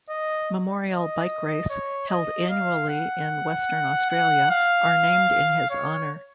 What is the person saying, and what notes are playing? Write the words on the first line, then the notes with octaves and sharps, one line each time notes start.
Memorial Bike Race, held annually in Western Australia, are named in his honour.
D#5
D#5
C#5
D#5
F5
F#5
F#5
F5
C#5